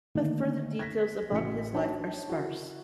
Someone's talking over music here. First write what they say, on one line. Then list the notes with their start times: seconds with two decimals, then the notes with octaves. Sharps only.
But further details about his life are sparse.
0.15 D3 D#3 A3 A#3 D#4
0.79 G#6 A#6 B6
1.31 A1 A2 A3 F#4 B6 C#7
1.74 D4 D#4 F#4 C#5 G5 A5
2.28 E4 F#4 A#4